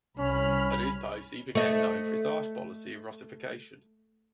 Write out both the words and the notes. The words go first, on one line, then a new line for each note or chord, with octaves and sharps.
At these posts, he became known for his harsh policy of Russification.
C2 C#4 B5 F6
A3 D#5